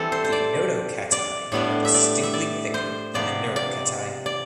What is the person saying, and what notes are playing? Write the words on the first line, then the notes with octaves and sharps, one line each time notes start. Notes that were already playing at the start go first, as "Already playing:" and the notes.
The notochaetae are distinctly thicker than the neurochaetae.
Already playing: E3 G3 C4 A4
C5
C5
D5
D5
A2 G3 B3 D4 D5
E5
D5
E5
D5
C5
C3 F3 B3 D5
D5
D5